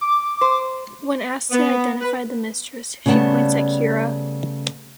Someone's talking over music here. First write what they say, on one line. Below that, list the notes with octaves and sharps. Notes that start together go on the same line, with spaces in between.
When asked to identify the mistress, she points at Kira.
D6
C5
B3
B4
C#3 G3 A3 B3 A5